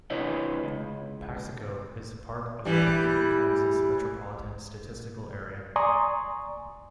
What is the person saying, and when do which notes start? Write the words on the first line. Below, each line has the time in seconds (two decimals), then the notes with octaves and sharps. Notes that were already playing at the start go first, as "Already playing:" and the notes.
Paxico is part of the Topeka, Kansas Metropolitan Statistical Area.
0.10 C3 E4 B4 C#5 D#5
0.64 C#2
2.65 E3 G3
5.76 D5 G#5 A#5 C6 C#6 D#6